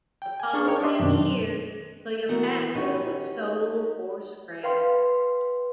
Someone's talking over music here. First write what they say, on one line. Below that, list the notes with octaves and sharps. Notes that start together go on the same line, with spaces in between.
The following year, "Cleopatra" was sold for scrap.
G5
G#5
D4 G#4 A5 C#6
D#4 A#4 C#5 G5
D4 G4 D#5 E5 C6
F#2 B2 D#3 C4 D4
E3 B3 F#4 A#4
C#4 D#4 F#4 G4 B4
B4 F5 G5 C6